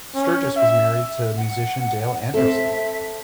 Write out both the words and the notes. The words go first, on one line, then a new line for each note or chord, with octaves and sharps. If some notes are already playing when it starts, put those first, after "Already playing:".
Sturgess was married to musician Dale Anderson.
C#4
E5
F#5
C4 A4 E5